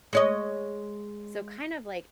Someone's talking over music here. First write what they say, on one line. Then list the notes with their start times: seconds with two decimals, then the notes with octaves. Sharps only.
So, kind of, like,
0.13 G#3 C#5 D#5